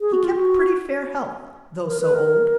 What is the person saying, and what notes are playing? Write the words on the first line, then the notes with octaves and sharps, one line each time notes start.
He kept pretty fair health, though so old.
G#4
F#4
F4
F#4
A#4
B4
A#4